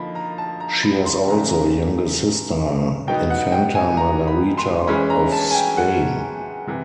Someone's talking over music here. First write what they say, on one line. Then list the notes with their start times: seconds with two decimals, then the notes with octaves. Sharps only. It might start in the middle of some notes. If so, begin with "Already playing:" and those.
She has also a younger sister, Infanta Margarita of Spain.
Already playing: D3 F3 A#3 D#4 B5
0.15 A#5
0.38 A5
0.60 A#5
0.83 B5
1.05 C6
1.28 C#3 E3 A3 A#5
1.50 A#5
3.07 B2 F#3 B3 D#4 G5
3.30 F#5
3.52 G5
3.75 G#5
3.97 A#5
4.28 B5
4.58 C6
4.87 E3 G#3 C#4 B5
5.10 A#5
5.32 A5
5.51 G#5
5.55 G5
5.77 F#5
6.67 C3 E3